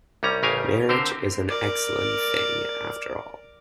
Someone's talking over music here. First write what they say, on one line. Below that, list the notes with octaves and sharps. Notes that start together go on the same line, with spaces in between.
Marriage is an excellent thing, after all.
C2 G3 C#4 A#5
A1 C#3 G4 A#4 F5 G#5
D3 C4 G4 A#4 C5
A#4 D5